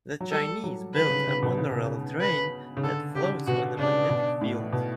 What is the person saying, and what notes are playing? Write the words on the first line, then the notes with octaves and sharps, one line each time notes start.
The Chinese built a monorail train that floats on a magnetic field.
F#3
G3 A4
F#3
D3 B4
C#3
C#3
B2
C#3
B2
C#3
B4
C#3
D3 A4
C#3 G4
B2 F#4
C#3 D4
B2
A2
B2